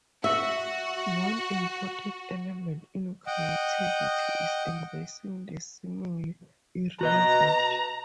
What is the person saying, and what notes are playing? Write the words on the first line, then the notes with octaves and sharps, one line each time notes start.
One important element in creativity is embracing the seemingly irrelevant.
F#4 E5
D#5 F#5 G5
F#4 B4 D#5 A#5